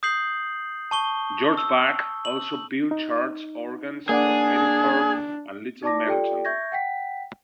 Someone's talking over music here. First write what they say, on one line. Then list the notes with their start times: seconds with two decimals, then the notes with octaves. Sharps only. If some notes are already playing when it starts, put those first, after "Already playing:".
George Buck also built church organs for Edingthorpe and Little Melton.
0.03 D#6 G6 C7 F#7
0.91 A5 C#6 G7
1.57 E6
2.25 F#7
2.91 D#4
4.09 A#3 D4 G#4 D5 F#5
5.83 D#4 D5 A5 D6 A#6
6.06 F4 G4 A4 D5 G5
6.45 E5 C#6 G6 G#6 A#6
6.72 F#5 G5 B6